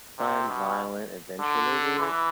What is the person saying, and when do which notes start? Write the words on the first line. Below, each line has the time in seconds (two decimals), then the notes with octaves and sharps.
fun, violent adventure movie
0.19 C3
0.49 B2
1.40 D3
2.00 E3